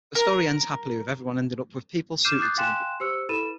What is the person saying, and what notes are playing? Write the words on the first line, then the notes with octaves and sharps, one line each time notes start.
The story ends happily with everyone ending up with people suited to them.
A#4
D6 F6 G6 C7 D#7 E7
D6 D#6 F#6 G6 A6 C7
F5 G5 G#5 C6 F#6 E7
G4 C5 E6 C#7
E4 A4 B4 B5 D#7 E7